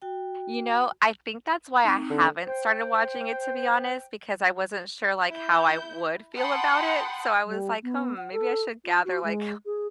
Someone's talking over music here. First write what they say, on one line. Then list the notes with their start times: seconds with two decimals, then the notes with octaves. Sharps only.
You know, I think that's why I haven't started watching it, to be honest, because I wasn't sure, like, how I would feel about it. So, I was, like, "Hmm, maybe I should gather, like,
0.02 F#4 G5
1.85 C4 D#4
2.10 D3
2.45 C5 G5
5.28 E4 G6
6.36 F#5 G5 A5 B5 C6 D#6
7.45 G3
7.83 B3
8.17 F#5
8.32 A4
8.84 F4
9.04 F#4
9.24 G#3
9.65 G#4